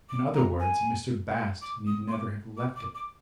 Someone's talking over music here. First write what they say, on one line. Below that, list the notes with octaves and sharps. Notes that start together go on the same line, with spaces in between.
"In other words, Mr. Bast need never have left it."
D6
A#5
G#5
D6
D#6
C6
D6
D6
D6
D6